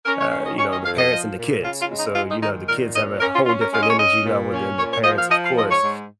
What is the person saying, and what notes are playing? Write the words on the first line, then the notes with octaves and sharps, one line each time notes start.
uh, you know, the parents and the kids, so, you know, the kids have a whole different energy level than the parents, of course,
C#4 A#4
C#5
D#3 F5
D#5
C#4 C#5
D#5
F2 F5
D#5
F3
A#2
C#3 F4
F4
G#3
D#4
G#2 F4
D#4
D#3 D#4
A#2 A#4
C#4 D#5
C#4 A#4
F4
C#4 F4
A#4
G#3 F5
D#5
C#5
C#4 D#5
A#2
C#4
A#2 C#5
C#5
F3 D#5
F5
F3 D#5
F5
G#2 D#5
C#5
G#2